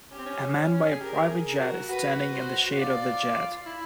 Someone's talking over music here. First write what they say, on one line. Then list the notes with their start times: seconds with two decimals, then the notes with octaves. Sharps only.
A man by a private jet is standing in the shade of the jet.
0.11 C#4 G4
0.19 C4
0.26 C#4
0.92 G#4
1.00 G4 A#4
1.30 G#4
1.45 A#4
1.59 F#4
1.89 F#4 B4
2.33 C5
2.78 F4 D5
3.66 E4